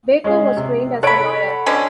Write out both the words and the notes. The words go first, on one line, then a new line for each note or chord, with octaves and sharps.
Baker was trained as a lawyer.
G#3 C#4 G#4
C3
A4 C#5 F#5 B5 D7
B2 D3 C#4